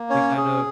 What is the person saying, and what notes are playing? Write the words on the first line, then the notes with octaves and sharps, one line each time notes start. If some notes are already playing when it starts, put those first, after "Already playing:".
we kind of
Already playing: A#3
C#4 C#5
G#4